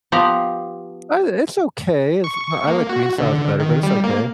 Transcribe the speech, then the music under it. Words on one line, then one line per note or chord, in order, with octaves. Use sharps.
Eh, it's okay, it's not I like green salads better, but it's okay.
F3 B3 F4 G4 A#5
C#6
A#3
F#4
D3
D#3
G3
A#3